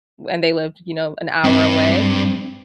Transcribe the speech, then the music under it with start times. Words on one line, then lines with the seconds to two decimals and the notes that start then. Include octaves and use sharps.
and they lived, you know, an hour away,
1.44 G2 C4